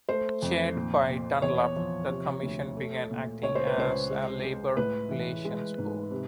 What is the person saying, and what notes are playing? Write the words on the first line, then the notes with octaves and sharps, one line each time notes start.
Chaired by Dunlop, the commission began acting as a labor relations board.
A3 C5
F2
A#2
A#2
E2 C#5
F3
C3
D2
A3
A#2
C#2 C#5
C5
B4
C#2 C5
G#3
G#3
A2 B4
E3
G#3
G#2
C3